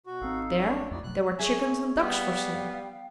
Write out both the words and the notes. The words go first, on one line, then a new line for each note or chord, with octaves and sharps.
There, there were chickens and ducks for sale.
B2 F#4
G#1 C4 D#4 A4 F5
D4 C#5
B1 F2 A3 D#4 E4 F#4 D5
F2 B2 F#3 F#6
G#4 C#5 E5 G#5 C#6
G3 B3 F5 G5